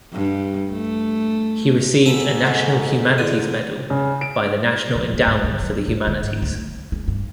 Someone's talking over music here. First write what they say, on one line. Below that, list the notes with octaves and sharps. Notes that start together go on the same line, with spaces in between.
He received a National Humanities Medal by the National Endowment for the Humanities.
G2
A3
G#2 A4 B5
G#3 A3 F#5
D3 E4 G#4 D#7
C#3
D7
F3
A#3
G#2
G#2
F#3
G#2
D3
G#2
D2
B3
G#3
G2